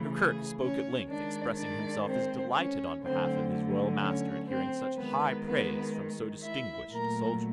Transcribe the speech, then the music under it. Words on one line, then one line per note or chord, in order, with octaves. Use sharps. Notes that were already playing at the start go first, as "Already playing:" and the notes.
Gurgurk spoke at length, expressing himself as delighted, on behalf of his royal master, at hearing such high praise from so distinguished a soldier.
Already playing: C#3 E3 A3
G#4
C#4 C#5
D#3 G#3 D4 D5
D4 D5
C4 C5
C#4 C#5
D3 F#3 A3 C4 C5
C#4 C#5
C4 C5
D#3 G#3 B3 B4
B3 B4
E4 E5
A#2 F#3 A3 A#4 A#5